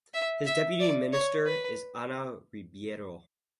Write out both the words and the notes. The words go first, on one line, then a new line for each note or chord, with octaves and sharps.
His Deputy Minister is Ana Ribeiro.
E5
E5
D5
C#5
B4